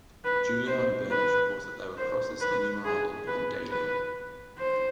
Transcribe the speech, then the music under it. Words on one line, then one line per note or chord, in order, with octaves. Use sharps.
Juliana Berners reports that there were "Crossis innumerabull born dayli".
B4
C5
B4
C5
B4
G#4
B4
B4
C5